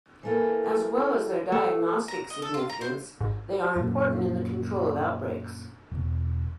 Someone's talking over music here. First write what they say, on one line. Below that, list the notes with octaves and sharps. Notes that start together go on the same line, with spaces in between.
As well as their diagnostic significance they are important in the control of outbreaks.
E3 A3 A#3
A3
A#5
D#5
A4
F4
A#5
C5
G#1
F#2 A#2
E1